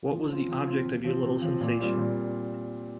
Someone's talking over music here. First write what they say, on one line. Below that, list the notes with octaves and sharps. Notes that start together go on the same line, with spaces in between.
What was the object of your little sensation.
F3
C4 F4
F3
C4 F4
C3
F3 C4
C3
F3 C4
A#2
G3 C4 F4
A#2